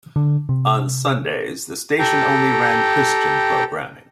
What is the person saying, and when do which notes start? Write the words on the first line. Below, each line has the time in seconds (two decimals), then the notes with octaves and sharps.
On Sundays, the station only ran Christian programming.
0.16 D3
0.49 C3
1.99 G4 A4 G5 A#5